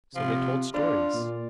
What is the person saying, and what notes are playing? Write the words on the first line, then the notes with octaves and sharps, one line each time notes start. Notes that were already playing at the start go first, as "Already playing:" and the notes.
So they told stories.
C3 F3
D4 F4 D5
A#2